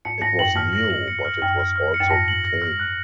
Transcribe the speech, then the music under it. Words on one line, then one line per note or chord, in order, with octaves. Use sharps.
It was new, but it was also decaying.
G#2 C#7
G#2 A#6
F#2 F#7
G#2 F6
A#6
F#7
C#7
F6
F#2 F6
F6
F6
C#7
F#2
G#2 A#6
F#7
A#6
F6
F#6